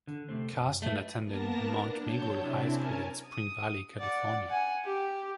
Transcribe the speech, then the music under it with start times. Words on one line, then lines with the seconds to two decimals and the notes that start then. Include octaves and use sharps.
Karstens attended Mount Miguel High School in Spring Valley, California.
0.07 D3
0.29 C3 A3 C4
0.52 F#2
0.82 A3 B4 D#5
1.22 A#3 B3 A#4 A5 A#6
1.66 D4
2.00 F#3 C#5 A5 G6
2.38 C3 C4 D4 E4
2.69 C#4 A#4 G#5 A5
3.26 D#6
3.99 D5 F#5
4.48 F#5 G#5
4.84 G4